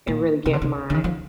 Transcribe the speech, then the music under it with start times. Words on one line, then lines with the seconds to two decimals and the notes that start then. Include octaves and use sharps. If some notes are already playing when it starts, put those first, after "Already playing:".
and really get my
0.07 A#2
0.46 C3
0.53 D3
0.62 C3
0.90 D3
0.94 D#3
1.04 F3